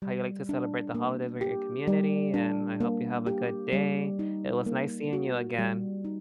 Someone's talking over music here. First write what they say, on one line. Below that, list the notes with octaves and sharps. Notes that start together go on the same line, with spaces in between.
how you like to celebrate the holidays with your community, and I hope you have a good day. It was nice seeing you again.
G3
D4
A#3
G4
G3
D4
A#3
G4
G3
D#4
A#3
F#4
G3
D#4